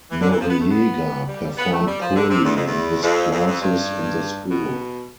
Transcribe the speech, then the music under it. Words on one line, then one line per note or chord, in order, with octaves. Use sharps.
Noriega performed poorly in his classes in the school.
E3
D3
E3
F3
B3
A3
B3
G3
G3
B3
A3
G3
F3
D3
C3
E2
F2
E2
F2
F2
F2
G2
B2